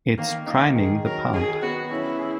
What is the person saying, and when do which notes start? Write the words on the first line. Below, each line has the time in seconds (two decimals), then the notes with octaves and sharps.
It's priming the pump.
0.18 D#3 A#3
0.46 A#3 D#4
0.76 D#3 G#4
1.04 F#3 A#4
1.33 D#3 G#4
1.62 B3 F#4
1.90 C#4 E4
2.19 G#4